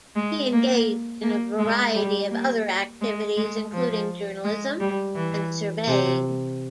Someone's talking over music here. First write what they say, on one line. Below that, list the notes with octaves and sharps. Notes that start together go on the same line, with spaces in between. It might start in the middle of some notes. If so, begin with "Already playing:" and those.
He engaged in a variety of other activities, including journalism and surveying.
G#3
A#3
A#3
G#3
G3
A#3
G#3
G#3
F3
G#3
G3
E3
C3